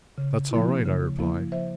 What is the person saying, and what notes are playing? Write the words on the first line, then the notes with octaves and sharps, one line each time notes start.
"That's all right," I replied.
C#3
F3 A#3 E4
C#3
F3 A#3 E4
F3 C5 E5